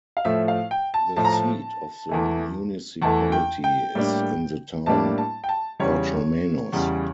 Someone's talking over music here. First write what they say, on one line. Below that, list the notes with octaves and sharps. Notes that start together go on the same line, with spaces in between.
The seat of the municipality is in the town Orchomenos.
F5
A2 F3 A3 E5
F5
G5
A5
A2 F3 A3 A5
A#5
A5
E2 E3 A3
E2 E3 A3 A5
G5
G5
A2 G3 A#3 D4
A2 G3 A#3 D4 A5
A5
G5
A5
E2 C#3 G3 C#5
E2 C#3 G3